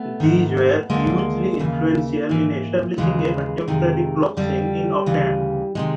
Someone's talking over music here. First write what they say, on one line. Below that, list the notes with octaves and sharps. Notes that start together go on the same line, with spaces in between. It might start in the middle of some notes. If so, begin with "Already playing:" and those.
These were hugely influential in establishing a contemporary club scene in Auckland.
Already playing: A3 B3
G#2 D#3
D2 D3 G#3 A#3
D#2 C#3 E3
G#2 E3
D#2 C#3 E3 G#3
F2 C3 D#3
F2 D3 G3
D2 C#3 E3
C3 D#3 G#3